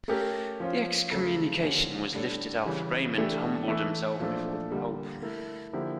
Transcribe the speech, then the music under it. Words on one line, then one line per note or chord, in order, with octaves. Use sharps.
The excommunication was lifted after Raymond humbled himself before the Pope.
A3 C#4 G4 A#4
F3 C#4 F4
C#3 F3 A3
D3 F3 A#3 C#4 G4
A2 G3 D4 A4 C#5
C#3 E3 G3 C#4
E3 A3 D4 G4
E3 A3 E4
A#2 F3 A3 D4 A4
D3 G3 A#3
A3 E4 A#4
D3 F3 A#3 E4 G4